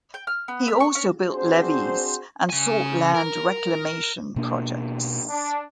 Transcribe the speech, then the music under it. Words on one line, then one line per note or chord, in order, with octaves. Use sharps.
He also built levees and sought land reclamation projects.
G5
F6
B3
E5
C#6
C#4
C4 D4 F#4 G#4 C5
C#3 G#5
A#4
B2 A#3 D4
D4